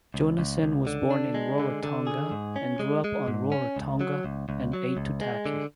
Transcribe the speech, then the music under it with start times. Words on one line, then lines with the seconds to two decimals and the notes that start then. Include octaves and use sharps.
Jonassen was born in Rarotonga and grew up on Rarotonga and Aitutaki.
0.14 C#2
0.39 C#2
0.62 C#2
0.87 D3
1.11 D4
1.34 G#3
1.60 D3
1.83 D3
2.07 G#4
2.32 G#2
2.56 C#4
2.80 G#3
3.04 G#3
3.28 G#2
3.52 C#4
3.77 C#2
4.01 F#3
4.24 C#2
4.49 C#2
4.73 F#3
4.97 C#2
5.21 G#3
5.46 D3